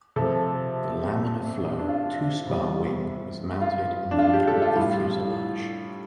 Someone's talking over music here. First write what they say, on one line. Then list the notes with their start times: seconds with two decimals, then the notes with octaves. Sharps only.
The laminar-flow, two-spar, wing was mounted in the middle of the fuselage.
0.16 C3 F3 A4
1.79 D4
1.89 F4
2.47 C3 G3
3.62 F4
4.11 D4
4.19 F4
4.33 G4
4.47 A4
4.62 F4
4.76 A2 G3 F4